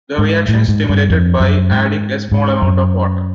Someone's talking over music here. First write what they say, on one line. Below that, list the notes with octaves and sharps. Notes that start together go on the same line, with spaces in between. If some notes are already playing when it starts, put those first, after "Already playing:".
The reaction is stimulated by adding a small amount of water.
G#2
A2
G#2
G2
F2
F#2
G#2
G#2
F#2